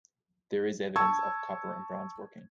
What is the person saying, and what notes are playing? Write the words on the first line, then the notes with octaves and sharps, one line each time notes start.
There is evidence of copper and bronze working.
A5 C#6 E6 G#6